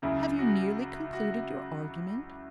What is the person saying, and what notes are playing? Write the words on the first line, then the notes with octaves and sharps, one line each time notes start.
"Have you nearly concluded your argument?"
C#2 C#3 F#3 E4 G#4
F#4
F#4